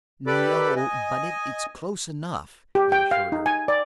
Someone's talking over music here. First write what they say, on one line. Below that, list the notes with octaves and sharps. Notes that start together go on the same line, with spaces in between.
"No, but it's close enough," he assured her.
G4 A4 B4 D5 B5 D6
D#5 G#5
G4
G5
F5
D#4
G#5
D5